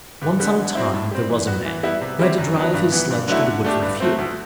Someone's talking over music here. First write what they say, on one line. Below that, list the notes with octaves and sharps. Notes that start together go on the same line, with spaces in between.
Once on a time there was a man, who had to drive his sledge to the wood for fuel.
G2
D3 G3 B3
D3
F#3 C4 E4
A2
G3 C4
E3
B3 F#4
E3
G3 B3 E4
C3
G3 C4 E4 G4
F#2
F#3 B3 D4
G2
E3 B3
G2
D3 F#3 A3 E4
D3
A3 D4 G4
G2
F#3 A3 C4
D2